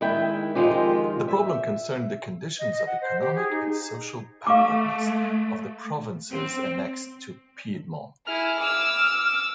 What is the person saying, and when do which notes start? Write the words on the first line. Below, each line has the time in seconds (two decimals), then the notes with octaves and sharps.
The problem concerned the condition of economic and social backwardness of the provinces annexed to Piedmont.
0.01 D#3 G#3 E4 G5
0.55 F2 A2 D#3 G#3 F4 G4
1.28 E5
2.59 D#5
2.72 D#5
2.87 F#5
3.01 C5
3.21 G4
3.35 G#4
3.51 D#4
4.47 A3 F5 C#6 D6
6.32 C4
8.27 E4 G#4 F6
8.60 D6 E6